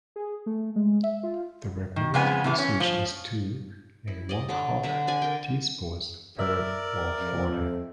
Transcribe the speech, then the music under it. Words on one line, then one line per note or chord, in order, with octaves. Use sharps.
The recommended usage is two and one-half teaspoons per of water.
G#4
A3
G#3
E5
F4
D#3
F2 C#3 G#3 B3 G#5
E2 A2 E3
C#4
F3
E4
D5 D#5
D3 C#5 A5 D6
D3 B4 E5 A#5
D4 D5 G#5
A#4 G5
A#4 D5 E5
F2